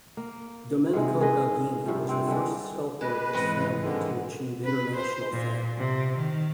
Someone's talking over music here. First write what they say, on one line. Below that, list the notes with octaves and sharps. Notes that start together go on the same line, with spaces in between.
Domenico Gagini was the first sculptor of this family to achieve international fame.
A#3
G#2 C3 G#3
G#2 G#4 B4 D#5
G2 C3 F3
C3 C4
D3 G3 G#3
G#3 B4
G#2 E3 B3 C4 D#5
D3 D#3 G#3
B4
C5
A#2
C3
D#3